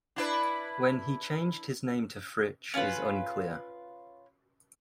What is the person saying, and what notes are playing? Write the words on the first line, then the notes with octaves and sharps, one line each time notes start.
When he changed his name to Fritsch is unclear.
D4 E4 B4
C#4 F4 A#4 B4